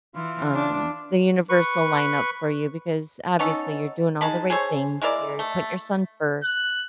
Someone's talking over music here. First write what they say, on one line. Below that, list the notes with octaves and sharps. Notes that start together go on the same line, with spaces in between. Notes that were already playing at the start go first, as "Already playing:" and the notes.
Um, the universe'll lineup for you, because, obviously, you're doing all the right things, you're putting your son first,
E3 F4
D4
B4 C#6
B3 C#4 D#4 A4
G#3 D#4 A5 B5
G#4 A4 C5 C#5
G#3 E4 A#4 D5
A3
F#6